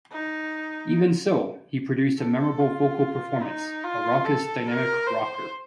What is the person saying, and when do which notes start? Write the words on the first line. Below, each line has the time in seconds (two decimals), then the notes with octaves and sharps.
Even so, he produced a memorable vocal performance: a raucous, dynamic rocker.
0.12 D#4
2.18 A4
2.60 F4
3.42 D#4
3.84 F4
4.25 A4
4.67 A#4
5.07 C5